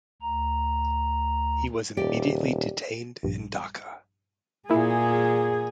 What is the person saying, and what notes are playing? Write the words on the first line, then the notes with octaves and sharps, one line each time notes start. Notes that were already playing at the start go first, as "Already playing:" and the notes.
He was immediately detained in Dhaka.
D2 A#5
D#1 G4 D5
A#1 G2
A#2 A#3 E4 G#4